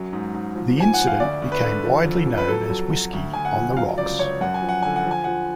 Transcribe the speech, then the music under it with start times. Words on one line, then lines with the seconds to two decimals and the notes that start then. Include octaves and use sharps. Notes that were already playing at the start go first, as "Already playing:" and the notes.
The incident became widely known as Whiskey on the Rocks.
Already playing: F#2 F#3
0.13 G#2
0.34 G#2
0.55 F3
0.77 F3 G#5
0.94 F3 F#5
1.07 F5
1.20 D2 D5
1.42 D2
1.52 B4
1.63 D3
1.85 F3
2.05 F2
2.27 F2
2.38 B4
2.48 F#3 A4
2.70 F#3
2.91 F#3
3.13 D2
3.34 D2 G#5
3.45 F#5
3.56 F3
3.77 F#3 F5
3.98 C#2 D5
4.19 C#2 C#5
4.41 F#2 F#5
4.54 G#5
4.62 F3
4.69 F#5
4.83 D3 G#5
4.96 F#5
5.05 F3
5.11 G#5
5.24 F3 F#5